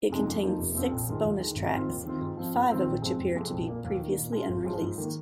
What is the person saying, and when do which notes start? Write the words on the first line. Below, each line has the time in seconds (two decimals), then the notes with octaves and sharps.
It contains six bonus tracks, five of which appear to be "previously unreleased".
0.09 F2 C3 G#3 D#4
0.26 F2
0.42 F3 A#3 D#4
0.58 F1
0.75 F2 F3 C4 F4
0.91 A#1
1.07 G#2 D#3 G#3 F4
1.24 D#2
1.40 D#3 G#3
1.55 G#1
1.72 G#2 D#3 C4 F4
1.89 D#2
2.05 D#3 C4 F4
2.21 G#2
2.37 F3 C4 F4
2.54 G#2
2.70 D#3 C4 F4
2.86 A#1
3.02 G#2 F3 G#3 C4
3.19 F1
3.35 F2 C3 G#3 C4
3.51 A#1
3.68 A#2 A#3
3.84 D#2
4.00 D#3 A#3
4.17 A#2
4.32 G#3 F4
4.49 G#1
4.65 G#2 F3 G#3 F4
4.82 G#2
4.98 D#3 A#3